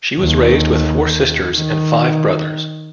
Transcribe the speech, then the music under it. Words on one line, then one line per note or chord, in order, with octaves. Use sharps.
She was raised with four sisters and five brothers.
D#2
D#3